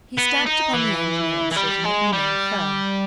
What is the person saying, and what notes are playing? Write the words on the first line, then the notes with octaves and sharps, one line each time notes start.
He stamped upon the end nearest and it remained firm.
B3
D#4
E3
E3
G3
G#3
G3